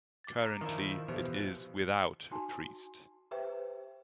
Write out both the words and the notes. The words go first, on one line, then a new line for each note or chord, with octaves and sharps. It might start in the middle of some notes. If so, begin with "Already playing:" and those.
Currently it is without a priest.
D6 A6
A#5
D#3 F3 E4 A#4 D5
B2 E3 F3 G4 C5
D#4 F#4 G#5 A5 C6
G4 B4 C5 E5 G5